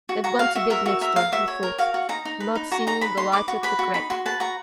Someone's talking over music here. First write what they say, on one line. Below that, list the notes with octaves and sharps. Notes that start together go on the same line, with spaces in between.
"They've gone to bed next door," he thought, not seeing the light at the crack.
F#4
F#4 A#5
F#4 F5
F#4 E5
A#4 E5
F#4 E5
A#4 E5
A#4 F5
F#4 E5
C#5
A#4
F#4 F5
F#4
D#4 A#5
D#4
B4
D#4
F#4 A#5
D#4 A#5
B4 B5
D#4 C6
B4 D6
F#4
B4 B5
F#4
D#4 B5
F#4 C6
B4 A5
F#4 A#5